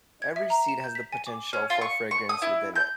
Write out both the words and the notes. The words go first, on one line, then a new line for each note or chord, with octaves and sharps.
Every seed has the potential for fragrance within it.
G#6
E5
A#5
E7
G6
B6
G#5
D6
C#4
F4
C#6
C#6
D#6
E4
G6